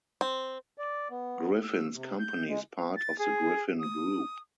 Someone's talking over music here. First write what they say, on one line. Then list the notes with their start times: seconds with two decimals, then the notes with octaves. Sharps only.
Griffin's company is part of The Griffin Group.
0.21 C4
0.78 D5
1.10 B3
1.64 E6
1.95 C3
2.19 G6
2.48 G#3
2.96 A6
3.19 G#4
3.80 D#6